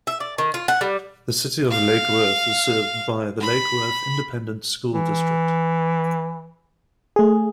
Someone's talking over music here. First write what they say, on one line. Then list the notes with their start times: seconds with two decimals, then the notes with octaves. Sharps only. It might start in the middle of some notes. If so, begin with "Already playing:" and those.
The city of Lake Worth is served by the Lake Worth Independent School District.
0.07 E5
0.20 D5
0.38 D#3
0.54 F4
0.68 F#5
0.81 G3
1.70 F5
3.41 B5
4.93 E3
7.16 A3 G#4